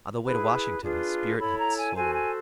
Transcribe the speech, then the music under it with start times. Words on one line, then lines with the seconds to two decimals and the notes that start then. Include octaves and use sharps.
On the way to Washington his spirit had soared.
0.23 E4 G#4 B4
0.80 D4 F4 G#4 B4
1.38 E4 A4 C#5 B5
1.57 A#5
1.76 G#5
1.95 F#4 A4 C5 G#5
2.14 G#5